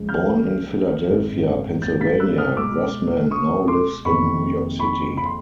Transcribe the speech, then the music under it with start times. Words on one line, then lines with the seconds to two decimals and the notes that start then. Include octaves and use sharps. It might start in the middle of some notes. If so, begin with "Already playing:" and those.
Born in Philadelphia, Pennsylvania, Grossman now lives in New York City.
Already playing: C#2 C#3 F3
0.09 F6 G6
1.08 G#1 F#2 D#3 G#3
1.82 G6 A6
2.01 A6 B6
2.20 E6 F#6
2.38 D#6 F6
2.57 C#2 B2 G#3 D6 E6
3.31 C#6 D#6
3.68 C6 D6
4.05 F#1 F2 C3 D#3 B5 C#6
4.79 B5 C#6
5.17 B5
5.26 C6